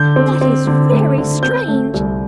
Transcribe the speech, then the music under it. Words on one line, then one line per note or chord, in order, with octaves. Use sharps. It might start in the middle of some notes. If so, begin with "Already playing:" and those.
That is very strange!
Already playing: D3 G6
C4
C4
D3
A3
D3
C4 G6
A3
C2